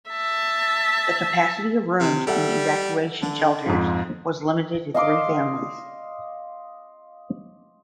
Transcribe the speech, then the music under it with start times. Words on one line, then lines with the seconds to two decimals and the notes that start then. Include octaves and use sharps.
The capacity of rooms in evacuation shelters was limited to three families.
0.10 E5 A5
2.00 C3
2.27 G3 A4 E5 F#5
3.22 D3
3.66 F2 G#2 F3
4.94 D#5 F5 C6 D6